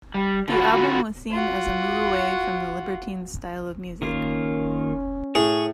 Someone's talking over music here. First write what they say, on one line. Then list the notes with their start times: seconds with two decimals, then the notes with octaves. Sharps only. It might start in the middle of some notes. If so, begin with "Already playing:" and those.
The album was seen as a move away from The Libertines' style of music.
0.14 G3
0.48 D3 F4 F#4 B4
1.31 F4 F#4
4.02 D#3 A#3 C#4 F4
5.35 A2 G#4 C#5